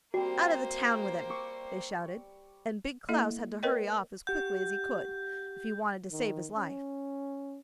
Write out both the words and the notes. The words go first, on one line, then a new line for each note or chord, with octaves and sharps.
Out of the town with him!' they shouted; and Big Klaus had to hurry off as quickly as he could, if he wanted to save his life.
G3 A#3 C4 F#4 C5
C#6 D6 E6
A#3 E4 A4 D#5 E5
A#4 B4 C#5 D#5 G5
G4 F#5 G6
D#3
C#4